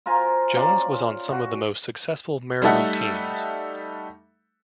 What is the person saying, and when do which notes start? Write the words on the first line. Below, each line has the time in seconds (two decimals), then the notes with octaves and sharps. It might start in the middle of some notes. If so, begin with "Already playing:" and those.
Jones was on some of the most successful Maryland teams.
0.06 F4 A#4 C5 G#5
0.55 C#4 F4 D5 A#5
1.28 F#4 C#5
2.62 G3 A3 D#4 A4 E5 F#5